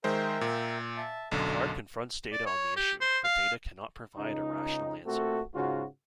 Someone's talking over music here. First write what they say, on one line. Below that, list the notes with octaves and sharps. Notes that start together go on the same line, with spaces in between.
Picard confronts Data on the issue, but Data cannot provide a rational answer.
D#3 G#3 A#4 C5 E5 G5
A#2
E5 A5
B1 F#2 D3 A4 D#5
D5
C#5
G4
C5
F5
C#2 C#3 D#4
A#2 A3 C4 F#4 A4
G#2 C#3 F4 F#4